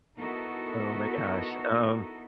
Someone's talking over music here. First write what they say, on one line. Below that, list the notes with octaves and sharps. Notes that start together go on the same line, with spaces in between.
Oh my gosh, um
B3 D#4 E4 F#4 A4 A#4